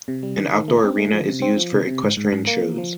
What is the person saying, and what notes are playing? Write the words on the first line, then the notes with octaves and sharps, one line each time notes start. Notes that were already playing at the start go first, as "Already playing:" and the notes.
An outdoor arena is used for equestrian shows.
C3
G3
D#3
D#3
A3
C4
A3
F3
C3
C4
F3
C3
C3
G#2
G#2
G#2
A#3
F3
F3